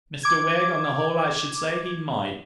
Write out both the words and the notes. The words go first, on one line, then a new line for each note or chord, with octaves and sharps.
'Mr Wegg, on the whole I should say he might.'
D6 G#6